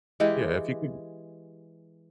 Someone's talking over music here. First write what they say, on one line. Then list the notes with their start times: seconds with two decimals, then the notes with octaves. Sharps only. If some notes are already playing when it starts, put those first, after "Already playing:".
Yeah, if you could
0.20 E3 G#3 G4 D#5